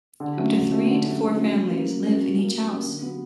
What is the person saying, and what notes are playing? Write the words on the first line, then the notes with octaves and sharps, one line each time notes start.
Up to three to four families live in each house.
D3
F#3 A3 C#4
D3
F#3 A3 C#4
D3
F#3 A3 C#4
D3
F#3 A3 C#4
F#3
A#3 C#4
F#3
A#3 C#4
F#3
A#3 C#4
F#3
A#3 C#4
D3
F#3 B3